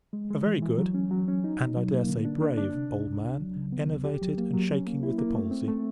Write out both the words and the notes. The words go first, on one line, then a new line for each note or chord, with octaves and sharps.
A very good--and, I dare say, brave--old man; enervated, and shaking with the palsy.
G#3
G#3
E3
E3
F#3
C#4
F#3
C#4
D#4
B2
F#3
A#3
D3
D4
D4
D4
C3
C#2
C#2
C#2
F#3
C#3
B3
D2
G4
F#3
A#3
F#3
C#4
A#3
E4
A#3
A3
C4
A3